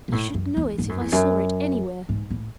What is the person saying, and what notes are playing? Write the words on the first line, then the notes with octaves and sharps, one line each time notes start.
I should know it if I saw it anywhere.
B2
A2
F#2
E2
G#2
F#2
E2
F#2
G#2
A2